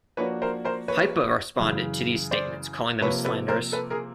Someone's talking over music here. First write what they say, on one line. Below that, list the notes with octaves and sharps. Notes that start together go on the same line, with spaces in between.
Hipa responded to these statements calling them slanderous.
F3 A#3 D4 F#4 B4 C#5
A#4 C5
A#4 C5
B4 C#5
F#2 C#3 E3
C5 D5
C3 F3 A#3 B4 C#5
A4 B4
A#4 C5
A4 B4
G#4 A#4